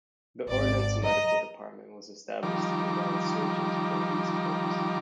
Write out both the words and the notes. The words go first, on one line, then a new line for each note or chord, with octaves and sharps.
The Ordnance Medical Department was established to provide surgeons for these corps.
G#1 D5
D#5 A#5
D#3 F3 G3 A#5 D6